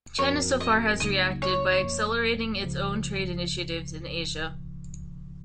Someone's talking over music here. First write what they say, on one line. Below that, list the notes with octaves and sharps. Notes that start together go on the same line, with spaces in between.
China so far has reacted by accelerating its own trade initiatives in Asia.
F#2 F3 C4 F#4 A#4 C#5
D#5
C#2 C#3 F#3 A#3 D#4 D#5
C#5
G#1 F#2 F3 A#3
C#2 C#3 F3